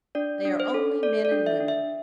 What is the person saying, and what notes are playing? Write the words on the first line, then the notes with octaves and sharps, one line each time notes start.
They are only men and women.
D4 D5
D4
C5
A4
A4 D5
D5
D4
E5
D4
E5